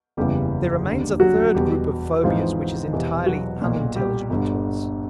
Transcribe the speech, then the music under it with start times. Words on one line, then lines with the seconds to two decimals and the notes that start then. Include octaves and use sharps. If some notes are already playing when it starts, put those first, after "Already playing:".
There remains a third group of phobias which is entirely unintelligible to us.
0.17 F#1 E2 C#3 E3 G3 G4
0.86 D#2 D3
1.20 F#3 F#4
1.55 E1 E2 B2 G3 G4
2.23 G#1 G#2 E3 F3 F4
2.93 E1 E2 C3 E3
3.26 F#3 F#4
3.62 B1 A#2
3.95 G3 G4
4.30 G1 G2 D3